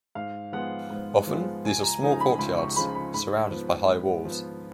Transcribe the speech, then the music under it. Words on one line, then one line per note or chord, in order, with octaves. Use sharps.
Often these were small courtyards surrounded by high walls.
G#2 F5
F3 G#3 B3 F4 F#5
G#2
F3 G#3 B3 F4
C#2 G#5
A#5
C#3 F3 G#3 D#4 G#5
A#5
B5
C#2 B5
C#6
C#3 F3 G#3 D#4 B5
B5
G#2 B5
F3 B3
G#2
F3 B3